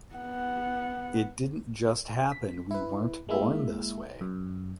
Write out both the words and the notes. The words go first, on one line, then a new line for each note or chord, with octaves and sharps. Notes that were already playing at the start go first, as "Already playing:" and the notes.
It didn’t just happen. We weren’t born this way.
B3 F#5
B6
E4 B4
G#3 A#3 E4 E5
F#2